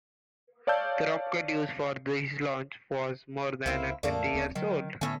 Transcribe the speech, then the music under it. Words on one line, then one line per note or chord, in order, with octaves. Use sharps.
The rocket used for this launch was more than twenty years old.
C#5 D5 F5 A5 E6 G6
C#2 A#3 C4 E4
E2 A2 A3 A#3 D5
D1 D2 C4
D3 D#3 F#3
A2 D3 B3 C#4